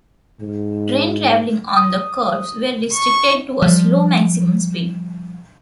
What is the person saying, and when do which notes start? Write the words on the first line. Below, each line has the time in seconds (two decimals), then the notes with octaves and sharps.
Train travelling on the curves were restricted to a slow maximum speed.
0.41 G#2
1.76 D#6
2.93 C#6
3.62 F3 G3